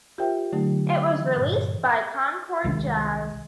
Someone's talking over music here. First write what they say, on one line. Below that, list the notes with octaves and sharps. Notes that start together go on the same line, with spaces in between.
It was released by Concord Jazz.
F4 G4 A#4 C5 E5 G5
D3 F#3 A3 D#4 G4
G5 D6
E3
G2 A#2
C2 C3 D#3 G#3